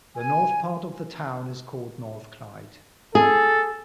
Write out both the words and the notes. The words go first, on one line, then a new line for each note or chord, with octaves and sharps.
The north part of the town is called North Clyde.
G#5
G#4 A4